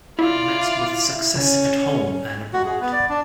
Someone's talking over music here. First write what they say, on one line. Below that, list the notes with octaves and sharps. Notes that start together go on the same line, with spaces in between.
It met with success at home and abroad.
E4 F4 D5
C#3 C#4
F#4
G#4
B3
D5
D4